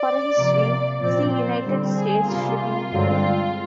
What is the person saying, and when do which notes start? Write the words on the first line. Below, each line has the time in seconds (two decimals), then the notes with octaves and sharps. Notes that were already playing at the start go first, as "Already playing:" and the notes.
For a history, see United States Shipping Board.
Already playing: D5
0.37 C3 F3 A#3
1.01 A#2 F3 C4 D5
1.33 C5
1.65 D3 G3 C4
1.95 G#4
2.26 C3 G3 A#3 F4
2.91 G2 D3 G#3 C4